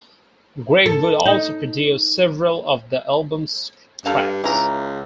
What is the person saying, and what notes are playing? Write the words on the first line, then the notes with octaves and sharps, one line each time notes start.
Gregg would also produce several of the album's tracks.
A4
D#4
G2 A4 F5
C#2 E3 A#5